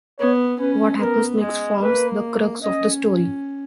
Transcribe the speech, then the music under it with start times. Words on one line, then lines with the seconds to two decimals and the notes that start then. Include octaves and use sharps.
What happens next forms the crux of the story.
0.19 B3 C#5
0.60 C#4 B4
1.01 B3 A#4
1.41 G#3
1.81 A#3 B4
2.62 C#4 D#5